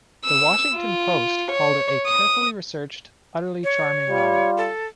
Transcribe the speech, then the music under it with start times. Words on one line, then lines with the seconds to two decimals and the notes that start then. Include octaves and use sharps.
"The Washington Post" called it "a carefully researched, utterly charming novel".
0.24 E6
0.76 F4
1.51 C#5
2.07 D#6
3.64 C#5
4.09 G3 F4
4.57 A4